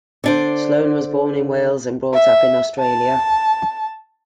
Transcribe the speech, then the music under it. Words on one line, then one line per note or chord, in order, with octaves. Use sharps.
Sloane was born in Wales and brought up in Australia.
D3 D4 C5
E5
A5